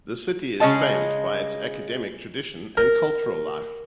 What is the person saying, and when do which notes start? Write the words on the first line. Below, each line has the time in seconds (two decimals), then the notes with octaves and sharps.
The city is famed by its academic traditions and cultural life.
0.60 C#3 G#3 D#5 A5
2.77 A#4